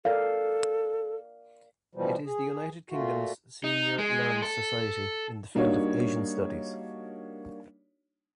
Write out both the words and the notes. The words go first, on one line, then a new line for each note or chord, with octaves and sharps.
It is the United Kingdom's senior learned society in the field of Asian studies.
A4 A#4 D5 F5
B2 E3 F3 G3
G#4
A#2 A3 F4 F#4
D#4
G#3
A4
G3 A#3 D4 D#4 F#4 C#5